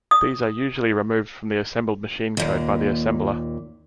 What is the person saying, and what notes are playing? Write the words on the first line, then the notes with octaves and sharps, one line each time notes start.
These are usually removed from the assembled machine code by the assembler.
D#6
D#2 A#2